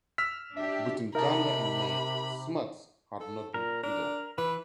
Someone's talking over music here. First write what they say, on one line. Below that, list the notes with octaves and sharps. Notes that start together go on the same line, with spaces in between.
Between January and May Smuts had not been idle.
E6 F6 B6
D4 G4 E5
C3 D#4 A#4 A5 B5
A4
A#2 A#4
D4 A#4
E3 B4